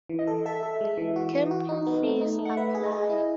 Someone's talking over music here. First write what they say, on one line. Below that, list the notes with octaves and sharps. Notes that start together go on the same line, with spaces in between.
Camping fees apply.
E3
D#5
A4
A4 E5
A4
G#3
E3
F#4
E3
F#4
D#4
B3
A3
D#4
A3
F#5
B4 E5
G#4
D#5
G#4
E4